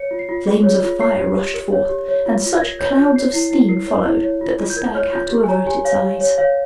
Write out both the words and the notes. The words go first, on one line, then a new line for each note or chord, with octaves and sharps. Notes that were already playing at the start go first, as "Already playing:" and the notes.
Flames of fire rushed forth, and such clouds of steam followed that the stag had to avert its eyes.
Already playing: C#5 C#7
F4
C7
F4
G#4
C#5
F4
C#5 C7
G4
G4
A#4
C#5
G4
C#5
F4
F4
G#6
A#4 A#6
C#5 G6
F4 G6
C#5 C7
E4 C7
E4 C7
A#4 C7
C#5
E4
C#5
F4
F4
G6
A#4 G#6
C#5 F6
F4 G6
G4
G#5
C#5 A#5
G4 G#5
C#5 F5
G4
C#5
C#5 F5